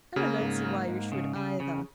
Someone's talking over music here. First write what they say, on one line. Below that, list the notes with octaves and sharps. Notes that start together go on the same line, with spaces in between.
And I don't see why you should, either.
C#3 A#3
G#2
A#3
G#2
C#3
C#3
C#3